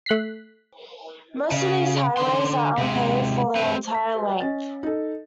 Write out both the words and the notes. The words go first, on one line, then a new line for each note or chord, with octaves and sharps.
Most of these highways are unpaved for their entire length.
A3 F#6 B6 C7
C#3
D3 C6
C3 G#3
C4 B4
B6
C#4 D#5 A6
D#4 A4